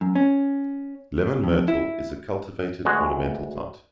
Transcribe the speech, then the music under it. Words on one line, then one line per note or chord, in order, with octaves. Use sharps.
Lemon myrtle is a cultivated ornamental plant.
F#2
C#4
F2
E4
D2 G#3 F#4